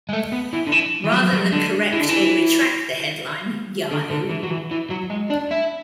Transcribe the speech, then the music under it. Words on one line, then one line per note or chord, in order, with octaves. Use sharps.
Rather than correct or retract the headline, Yahoo!
G#3
A3
B3
E3
D3
E3
E3
F#3
F#3
D3
E3
D3
E3
D3
D3
E3
F#3
E3
E3
F#3
G#3
D4
E4